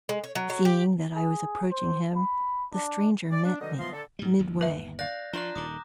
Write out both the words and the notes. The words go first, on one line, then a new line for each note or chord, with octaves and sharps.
Seeing that I was approaching him, the stranger met me midway.
G#3
C#5
F#3
F#3
G4
G#4
C5
B5
D4
D5
D4
B2 D3 D#3 F#3 D#4 D#5
E3 F3 B3 F4 D#5 C6
D3 A4
G#2 G3
G1 D#2
B4 E5
D5 F5 F#6 G6 A#6
F3 D4 F4 D5 A#5 F#6
D#1 D#3 A#5 D6 D#6